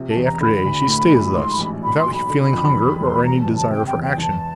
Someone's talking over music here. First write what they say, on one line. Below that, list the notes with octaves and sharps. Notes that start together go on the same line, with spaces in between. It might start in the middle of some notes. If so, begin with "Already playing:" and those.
Day after day she stays thus, without feeling hunger, or any desire for action.
Already playing: A#1 C3
A5
E2
A#5
D3 B5
D2
A2
A#1
G#2 C6
B5
A1
A#2 B5
C6
B1
B5
D3
F2
E2
E1 C6
B5
E2 A#5
A5
F#1
A5
C3 G5
G5
E2
G5
E2 A5